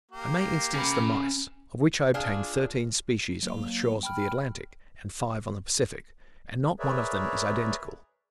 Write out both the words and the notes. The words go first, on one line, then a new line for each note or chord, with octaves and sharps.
I may instance the mice, of which I obtained thirteen species on the shores of the Atlantic, and five on the Pacific, and not one of them is identical.
A#3 G4
C#4 B5
D4 F4 G#4
F#3 A#3
G5 B5 F6
G#4 A#4 B4 C#5 D5 E5